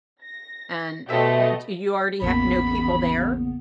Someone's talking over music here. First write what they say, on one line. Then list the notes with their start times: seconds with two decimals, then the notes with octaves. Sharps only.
and h d you already h know people there
0.21 A#6
1.09 B2 A3 G4 C5 D#5 E5
2.22 A1 E2 C#3 A#3 B3 B5